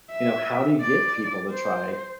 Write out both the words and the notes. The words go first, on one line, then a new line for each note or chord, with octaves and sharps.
you know, how do you get people to try,
E5
D5
C5